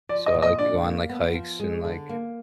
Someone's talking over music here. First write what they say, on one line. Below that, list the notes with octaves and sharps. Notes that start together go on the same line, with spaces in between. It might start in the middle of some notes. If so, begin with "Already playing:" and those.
So I like to go on, like, hikes and, like,
F3 D5
D#5
A#2
D#5
D4 D5
A#3
B3
F3
G#3
D3
A#3